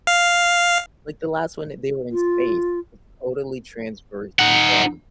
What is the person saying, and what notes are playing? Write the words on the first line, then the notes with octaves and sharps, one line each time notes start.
like the last one, they were in space, it totally transfers from
F5
F4
D#4 F#5